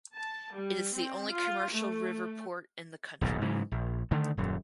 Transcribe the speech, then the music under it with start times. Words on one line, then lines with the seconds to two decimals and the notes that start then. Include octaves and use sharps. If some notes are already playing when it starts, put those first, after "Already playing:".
It is the only commercial river port in the country.
0.14 A5
0.54 G3
0.94 C4
1.30 F4
1.71 A3
3.21 D#1 B1 G#2
3.41 G#2 C#3 E3 F#3
3.71 A#1
4.11 D3 D#3 A3
4.37 D#1 F#2